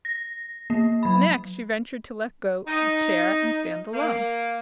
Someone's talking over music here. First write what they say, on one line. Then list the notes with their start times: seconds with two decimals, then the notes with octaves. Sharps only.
Next she ventured to let go the chair, and stand alone.
0.05 A#6
0.70 A#3
1.03 F#3 B5
2.66 D#4
3.93 A#3